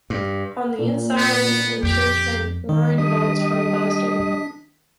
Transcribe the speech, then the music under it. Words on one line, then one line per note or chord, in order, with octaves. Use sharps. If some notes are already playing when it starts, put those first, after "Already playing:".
On the inside the church had groin vaults from plaster.
G2
A#2
B3
F2 G4
D#3 G#3
G3 D4 D#5 D#6 B6